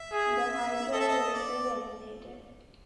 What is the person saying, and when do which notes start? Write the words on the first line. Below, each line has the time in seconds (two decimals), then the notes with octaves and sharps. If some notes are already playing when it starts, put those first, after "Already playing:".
The Hy-Drive unit was eliminated.
Already playing: E5
0.12 G#4
0.92 A4 D#5
1.00 E5
1.09 D#5
1.34 D5